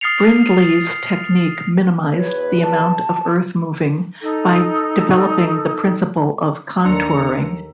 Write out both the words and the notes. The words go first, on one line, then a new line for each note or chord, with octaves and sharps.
Brindley's technique minimised the amount of earth moving by developing the principle of contouring.
D#6 F6 A6 C7 C#7 F7
E2 B2 B4 C#5
A5
D#4 A4
D#2 D4 A4 A#5 C6 E6 C#7